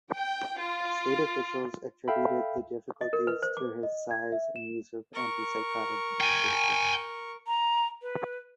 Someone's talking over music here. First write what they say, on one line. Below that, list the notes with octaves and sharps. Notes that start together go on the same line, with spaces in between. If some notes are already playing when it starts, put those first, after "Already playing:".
State officials attributed the difficulties to his size and use of antipsychotic medication.
G5
F4
A4 E5 F5 G5 B5
D#5
A#4
B4
C5
D6
D#5
G#6
E5
E7
A#4 C#6
G5 G#5
A#5
B4